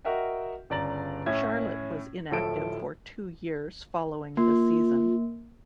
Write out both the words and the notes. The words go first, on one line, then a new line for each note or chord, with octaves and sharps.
Charlotte was inactive for two years following the season.
F#4 A#4 D#5 E5 F#5 G5
G1 C#3 D5 A#5 A6 F#7
A2 C#4 E5 G#6
D1 A2 F3 A4 E5 D7
A#3 F4